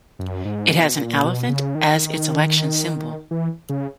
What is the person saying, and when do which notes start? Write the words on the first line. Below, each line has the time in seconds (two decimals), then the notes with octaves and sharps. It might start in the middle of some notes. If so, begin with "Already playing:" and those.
It has an elephant as its election symbol.
0.19 F#2
0.45 G#2
0.72 B2
0.97 A#2
1.23 B2
1.49 C#3
1.75 D#3
3.31 E3
3.69 C#3